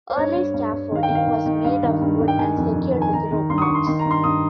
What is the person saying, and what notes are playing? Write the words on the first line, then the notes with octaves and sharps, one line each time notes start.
Early scaffolding was made of wood and secured with rope knots.
C5
G2 C#5
G2
G2
G2
D#3 F5
G5
D#3
F5
D#3
D#3
G2 F5
D#3
G2
G2
G5
D#3 G#5
F2
D#3
D#3
G#5
D#3 A#5
D#3
G2 C6
D#6
C#6
G2
C6
D#3 C6
A#5
G2
C6
G2 D#6